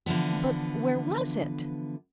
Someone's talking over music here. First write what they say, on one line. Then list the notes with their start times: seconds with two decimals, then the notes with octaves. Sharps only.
But where was it?
0.06 D3 E3 F3 B3